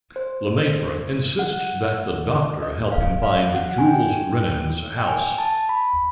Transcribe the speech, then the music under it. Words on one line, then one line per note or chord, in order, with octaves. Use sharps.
Lemaitre insists that the Doctor help him find Jules Renan's house.
C5
F#5
D#5
F5
F5
F#5
G#5
G5
G5
G#5
A5
B5